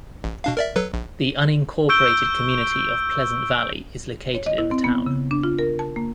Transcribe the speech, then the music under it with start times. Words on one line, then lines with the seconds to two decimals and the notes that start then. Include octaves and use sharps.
The unincorporated community of Pleasant Valley is located in the town.
0.24 A1
0.44 B2 D4 F5
0.57 A#4 D5 E5
0.76 F#3 A4 B4
0.94 A#1
1.89 C#6 E6 G6 D7 G7
4.34 C#5
4.46 D#5
4.58 E4
4.71 C4
4.84 B3
5.06 C#3
5.31 D4
5.43 F4
5.59 A#4
5.79 A5
5.96 A#3